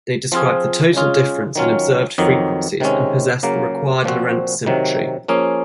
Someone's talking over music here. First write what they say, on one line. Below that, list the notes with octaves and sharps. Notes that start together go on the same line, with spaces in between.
They describe the total difference in observed frequencies and possess the required Lorentz symmetry.
F3 C4 F4 G#4
C#3 G#3 C#4 F4 G#4
D#3 F#3 C#4 F4
F2 D#3 F#3
C3 D#3 G#3 C#4
C#3 F#3 A#3
A#2 F3 C4 F#4
C3 D#3 F#3
F3 A#3 C#4 G#4